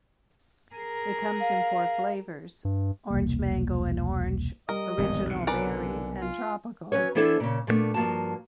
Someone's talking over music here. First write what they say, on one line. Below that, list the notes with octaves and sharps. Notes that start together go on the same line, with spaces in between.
It comes in four flavours; Orange, Mango and Orange, Original Berry, and Tropical.
G#4 A#4
F5
G2
E1 C2 A#3
G3 A#4 D#5
D1 G#1 E2 G#2 G3
B1 C3
D3 A#4 B4 D5 G#5
F4
F#3 C#4 B4 C#5
E3 B3 D4 E4 A4 C5
A#2 C#3
A#2 A3 B3 D4
G2 F3 A#3 F#4 A5